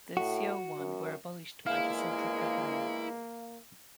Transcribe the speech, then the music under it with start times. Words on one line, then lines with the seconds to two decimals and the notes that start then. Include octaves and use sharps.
The seowon were abolished by the central government.
0.17 A2 F#4
0.77 F#2
1.66 A#1 E2 G#3 A#3 E4 F5